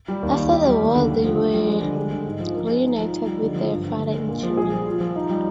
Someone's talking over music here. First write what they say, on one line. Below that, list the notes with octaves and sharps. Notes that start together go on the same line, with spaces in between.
After the war they were reunited with their father in Germany.
G3
D#2
D#3
G4
G3
D#2
D3
D3
F3
F4
G3
G#3
D3
G#3
D3
G#2
F3
A#4
G#3
D#4
F3
D#4
G3
D3
F3
G2
D3
D3
G#3
A#2
F3
G#4
G3
F4
F3
D#4
G3